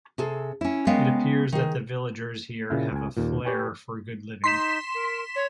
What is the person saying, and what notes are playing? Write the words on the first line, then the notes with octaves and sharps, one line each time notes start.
It appears that the villagers here have a flarir for good living.
C3 G#4 A4
C#4 E4
G#3 B3 C#4 A#4 F5 G5
D#3 G#4
A#2 C#3 E4
C#2 G#5
D#2 A#2
G4 B4 C#5 G5 G#5
D#4 C6 B6 E7
A#4
C#5